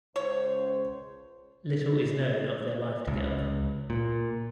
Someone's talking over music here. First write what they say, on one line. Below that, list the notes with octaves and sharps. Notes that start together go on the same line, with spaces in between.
Little is known of their life together.
C#2 C5 C#5
C#2
A#2